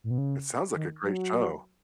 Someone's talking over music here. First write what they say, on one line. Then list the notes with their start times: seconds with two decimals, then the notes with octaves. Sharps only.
It sounds like a great show.
0.04 A2
0.10 B2
0.18 C#3
0.75 D#3
1.03 F#3